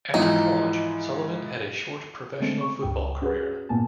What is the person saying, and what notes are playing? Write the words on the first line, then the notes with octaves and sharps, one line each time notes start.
After college, Sullivan had a short professional football career.
G#2 E3 F3 D#4
D3 G#3 A3 C4 C#4
C#6
C#2 G2 G5
C#4 F#4 G#4 B4
G2 A#2 A#3 B3 G#5 A5